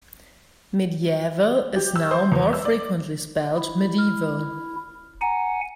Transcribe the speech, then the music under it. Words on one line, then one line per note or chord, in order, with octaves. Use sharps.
Mediaeval is now more frequently spelled medieval.
G4
E6
C5
E2
E6
D5
E4
F6
F#5 G#5 A#5